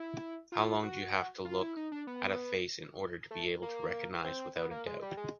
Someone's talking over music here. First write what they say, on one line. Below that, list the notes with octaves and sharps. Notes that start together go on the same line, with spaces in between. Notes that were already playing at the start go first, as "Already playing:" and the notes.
How long do you have to look at a face in order to be able to recognize without a doubt.
Already playing: E4
F4
F#4
F4
E4
D#4
D4
B3
A3
A#3
C4
B3
A#3
G#3
G3
G#3